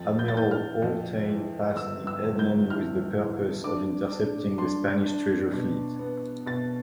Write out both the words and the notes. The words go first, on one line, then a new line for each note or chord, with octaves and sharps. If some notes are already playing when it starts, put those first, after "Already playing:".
Admiral Haultain passed the headland with the purpose of intercepting the Spanish treasure fleet.
Already playing: F2 A6
G6
A6
E3 G6
F6
F2
E3
G1 E6
E6
G1
G6
E3 F6
E3
D4 D6
D4
D4 C6
D4
B2
B3
B2 A6